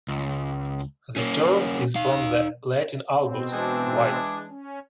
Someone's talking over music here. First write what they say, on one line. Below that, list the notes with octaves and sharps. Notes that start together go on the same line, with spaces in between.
The term is from the Latin "albus", "white".
C#2
A#3 C#4
D#4 F5
B2 C4
E3 G#3 D4
C#4